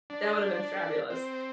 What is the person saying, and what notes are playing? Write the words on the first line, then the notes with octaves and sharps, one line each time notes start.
That would have been fabulous.
D4
C4